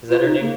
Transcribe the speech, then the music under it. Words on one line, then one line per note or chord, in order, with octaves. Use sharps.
is that her name?
F4
D#4
A#3